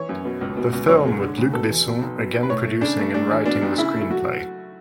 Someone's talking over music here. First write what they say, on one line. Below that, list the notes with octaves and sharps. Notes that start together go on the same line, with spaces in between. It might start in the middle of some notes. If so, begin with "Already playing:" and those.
The film with Luc Besson again producing and writing the screenplay.
Already playing: E3 C#5
F#2
B2
C#2
B2
C#2
F#2 C#5
G#3
D3
D2
B2 A4
E2
B2
B1
B2
B1
B4
A2 C#5
A3
C#3 D4
A3
A2 D4
A1
B2 D4
B1
C#3 E4
A3
E4
F#3 F#4